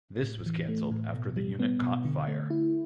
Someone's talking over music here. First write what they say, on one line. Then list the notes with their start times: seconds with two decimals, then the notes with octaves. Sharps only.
This was cancelled after the unit caught fire.
0.23 A2
0.46 E3
0.68 A3
0.91 A2
1.14 B2
1.37 G3
1.59 B3
1.82 B2
2.05 D3
2.28 A3
2.50 E4